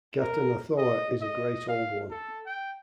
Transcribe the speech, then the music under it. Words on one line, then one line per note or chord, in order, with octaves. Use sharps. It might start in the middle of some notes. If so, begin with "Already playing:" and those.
Ghatanothoa is a Great Old One.
A#4
D#5
D#5
F5
A4
G5